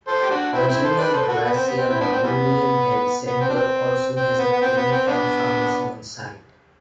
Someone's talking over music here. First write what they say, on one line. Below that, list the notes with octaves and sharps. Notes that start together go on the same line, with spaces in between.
Virginia Garcia Memorial Health Center also has a clinic and pharmacy on site.
A4 C5
G4
D4 F#4
C4 E4
C4 E4
A4 C5
B4 D5
A4 C5
B4
F#4 A4
B3
C4
B3
C4
C4 E4
B3 D4
C4
E3 G3 B3
B3
C4
D4
C4
C4
B3
B3
C4
B3
C4
B3 D4